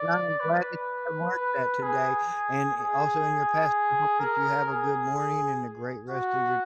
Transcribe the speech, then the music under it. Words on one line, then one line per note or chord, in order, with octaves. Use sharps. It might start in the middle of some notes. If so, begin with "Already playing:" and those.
that you have marked that today and, eh, also in your past. I hope that you have a good morning and a great rest of your
Already playing: D5
B4
B4
G#4
G#4
A#4
G#4
F#4